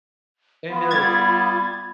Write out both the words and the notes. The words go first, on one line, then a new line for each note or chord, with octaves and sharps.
and they're,
B3 F4 B5
G3 G#6 A6